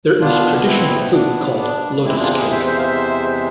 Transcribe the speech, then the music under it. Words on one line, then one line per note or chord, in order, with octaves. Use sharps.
There is traditional food called "lotus cake".
B2 B3 D4 F4
C4 E4
D4
D4
E2 C3 G#3 C4 E4
D4 F4
E4 G#4
C5 E5
C5 E5
F5
C5 E5